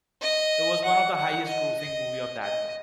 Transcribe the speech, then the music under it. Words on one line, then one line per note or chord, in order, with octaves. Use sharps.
It was one of the highest-grossing movie of that year.
D#5
F#5
F#5
D#5
D#5
D#5